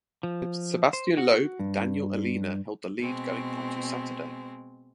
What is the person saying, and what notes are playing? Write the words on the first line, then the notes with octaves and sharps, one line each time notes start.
Sebastien Loeb and Daniel Elena held the lead going onto Saturday.
F3
C5
F#4 F#5
G2
B2 G#3 C4